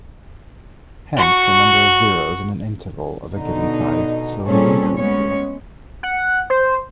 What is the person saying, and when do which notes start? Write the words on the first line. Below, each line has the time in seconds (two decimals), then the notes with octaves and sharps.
Hence, the number of zeros in an interval of a given size slowly increases.
1.17 F#4 C#6
3.32 B2 D3 D#4
4.46 A#2 G3 C4 C#4 G#4 A4
4.97 G#3 B3 C#4 C#5
6.03 F#5
6.50 C5